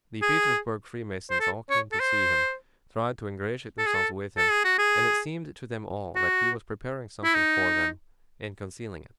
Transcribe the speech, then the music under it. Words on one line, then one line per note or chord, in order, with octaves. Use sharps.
The Petersburg Freemasons all came to see him, tried to ingratiate themselves with him, and it seemed to them all that he was preparing something for them and concealing it.
G#4
C5
A4
C#5
A4
C5
A4
G#4
A4
A4
G#4
F#4
G#4
F#4
E4
D#4